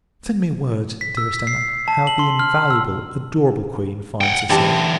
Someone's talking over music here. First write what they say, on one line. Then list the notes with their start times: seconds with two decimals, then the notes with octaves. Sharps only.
Send me word, Dearest Emma! how the invaluable, adorable Queen, finds herself.
1.01 B6
1.17 E6
1.33 B6
1.47 C7
1.88 A5
2.07 F#7
2.19 C6
2.39 F6
2.70 E6
4.21 F#5 G5
4.50 D3 E3 G4 A5